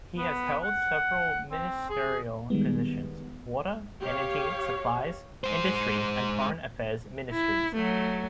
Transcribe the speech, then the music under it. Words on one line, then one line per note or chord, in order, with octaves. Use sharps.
He has held several ministerial positions; water, energy, supplies, industry and foreign affairs ministries.
B3
F#5
C4
G#4
D#3 G3 G#3 B3
G4 C#5 F5
G#3 C5
E4
F#3 A3